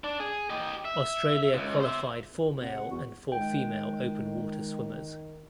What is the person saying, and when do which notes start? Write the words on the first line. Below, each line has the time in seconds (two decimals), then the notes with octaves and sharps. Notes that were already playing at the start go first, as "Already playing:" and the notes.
Australia qualified four male and four female open water swimmers.
0.04 D4
0.20 G#4
0.50 G4 D#5
0.85 E5
1.54 C#2 G#2
1.80 C5 E5
2.44 E4
2.62 C3 F#5
2.90 E2 F#4
3.32 D#3 G#3 G5